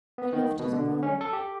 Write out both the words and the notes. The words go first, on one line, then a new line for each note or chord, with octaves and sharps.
She loved his brother.
B3
D#3
B2
D3
C#4
A4
G4